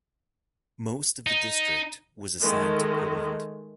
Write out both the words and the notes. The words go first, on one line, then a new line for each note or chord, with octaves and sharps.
Most of the district was assigned to Poland.
D#4
D#3 G#3 A3